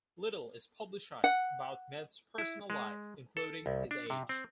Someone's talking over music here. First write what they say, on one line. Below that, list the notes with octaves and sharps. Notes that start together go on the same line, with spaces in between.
Little is publicized about Metz's personal life, including his age.
F#5
E4
G#3
A4
C2
D4
C3
C4